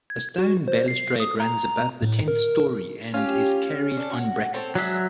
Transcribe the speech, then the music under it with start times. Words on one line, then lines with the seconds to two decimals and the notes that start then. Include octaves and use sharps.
A stone balustrade runs above the tenth story and is carried on brackets.
0.10 G#6
0.38 F#4
0.68 C5
0.88 C7
1.20 D#6
1.40 A#5
2.02 A2
2.28 A#4
3.14 C#4 F4 G4
3.97 D4 A4
4.10 F#4 F#5
4.54 C4 A4 C#5
4.75 F#3 G#3 D4 E5